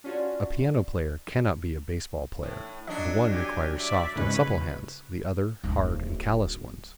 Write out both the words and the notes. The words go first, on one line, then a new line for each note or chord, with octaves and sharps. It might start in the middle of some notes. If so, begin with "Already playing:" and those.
A piano player cannot be a base-ball player: the one requires soft and supple hands, the other hard and callous ones.
C#4 D4 F4 F#4 D5
A2
F#3 D4 D#5
G4 G#5
D5 E5
G#2 C#3 G#3 C#4 B4
D1 D#4